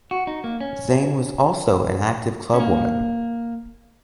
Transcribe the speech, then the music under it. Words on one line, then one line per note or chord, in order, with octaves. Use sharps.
Zane was also an active clubwoman.
F#4
D#4
A#3
C#4
C#4
A#3